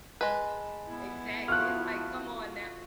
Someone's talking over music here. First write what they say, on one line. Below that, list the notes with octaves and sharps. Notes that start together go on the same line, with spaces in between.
Exactly, it's like, "Come on now"
G#3 B4 A5
B3 E4
F3 A3 F#4 F6 F#6